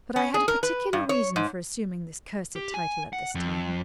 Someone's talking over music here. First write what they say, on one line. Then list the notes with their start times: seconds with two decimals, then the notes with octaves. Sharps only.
But I had a particular reason for assuming this cursed title at this time.
0.16 C#4
0.34 G#4
0.48 A#4
0.63 B4
0.93 G2
1.09 C#5
1.36 G#2
2.56 G4
2.74 G#5
3.13 F#5
3.35 F2